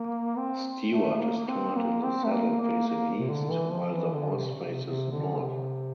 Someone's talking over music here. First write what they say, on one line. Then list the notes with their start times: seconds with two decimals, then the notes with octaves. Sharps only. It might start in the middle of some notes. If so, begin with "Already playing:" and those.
Stuart is turned in the saddle facing east while the horse faces north.
Already playing: A#3
0.37 C4
0.92 A3
1.15 A3
1.21 A#3
1.38 A#3
1.48 C4
1.76 A#3
2.04 C4
2.24 A3
2.32 A#3
2.61 A#3
2.88 A#3
3.20 C3
3.30 D3
3.50 E3
3.72 F3
3.92 E3
4.13 D3
4.35 C3
4.55 C3
4.84 C3
5.12 D3
5.39 C3